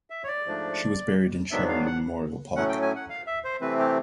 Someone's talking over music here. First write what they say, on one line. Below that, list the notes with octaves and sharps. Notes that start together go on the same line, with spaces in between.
She was buried in Sharon Memorial Park.
E5
C#5
D5
G#2 F3 A3 D4
G#2 D#3 F#3 B3 D4 E5
F5
F#5
A2 F#3 A3 C#4 F#5
G5
G#5
F#5
F5
E5
C5
C3 E3 A3 C4 B4
G4